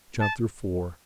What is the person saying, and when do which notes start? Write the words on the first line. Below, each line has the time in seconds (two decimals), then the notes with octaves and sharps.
Chapter IV.
0.20 A5